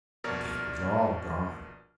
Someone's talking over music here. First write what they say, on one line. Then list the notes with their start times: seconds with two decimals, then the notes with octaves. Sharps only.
The cake was all gone!
0.24 A#1 B2 A#4 C#5 D5 F6